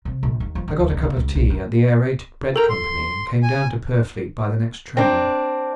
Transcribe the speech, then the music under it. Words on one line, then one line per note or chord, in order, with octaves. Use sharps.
I got a cup of tea at the Aerated Bread Company and came down to Purfleet by the next train.
C3
A#1
D#2
F3
D#3
D#2
C2
A#3
C#2
B1
F#2
A4 A#4 G5 F7
C6
G#5
C4 D4